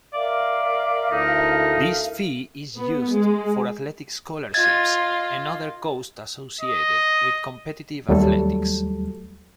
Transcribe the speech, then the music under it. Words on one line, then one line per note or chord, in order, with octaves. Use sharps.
This fee is used for athletic scholarships and other costs associated with competitive athletics.
A#4 D5 E5 F5
D2 D#4 E4 A4
B3
G#3
F4 D#5 G#6 A6
D#5
D#2 F#3 G3 A3 A4